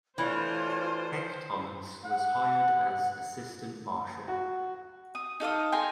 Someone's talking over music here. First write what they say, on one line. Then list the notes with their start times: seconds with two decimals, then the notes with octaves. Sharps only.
Heck Thomas was hired as assistant marshal.
0.18 E3 A3 D4 F4 C5 C#5
2.05 F#5
4.28 F#4
5.15 D#6
5.40 D#4 A4 F5 D#6
5.72 G5 G#5 A#5 C6